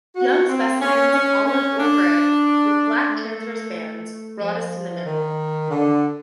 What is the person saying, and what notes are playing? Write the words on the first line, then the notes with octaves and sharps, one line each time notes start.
Young specimens olive or grey with black transverse bands, broadest in the middle.
F#4
C4
C#4
C#4
C#4
D4
A3
F3
D#3
D3